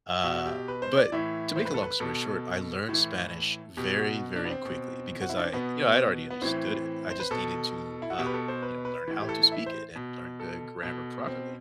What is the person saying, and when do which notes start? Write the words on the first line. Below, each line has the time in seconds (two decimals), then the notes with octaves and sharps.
Uh, but to make a long story short, I learned Spanish very, very quickly because I, you know, I'd already understood it. I just needed to, um, you know, learn how to speak it and learn the grammar properly.
0.24 B2 F#4
0.46 G4
0.68 B4
0.82 C5
0.98 D5
1.12 A2 E3 E5
1.56 C5
1.65 B4
1.74 A4
1.83 B4
2.00 B2 A4
2.89 A2 E3
3.77 B2 G4
3.99 F#4
4.36 D4
4.45 B3
4.50 C4
4.65 B2
5.21 F#4
5.29 E4
5.38 D4
5.45 C4
5.53 B2 B3
6.30 B3
6.42 A2 E3 C4
7.10 C5
7.20 B4
7.31 B2 A4
8.02 E4
8.10 F#4
8.19 B2 G4
8.26 B4
8.34 A4
8.48 C5
8.62 B4
8.85 B4
9.08 A2 E3
9.21 G4
9.29 A4
9.52 E5
9.66 C5
9.96 B2
10.40 A4
10.83 B2
11.27 C4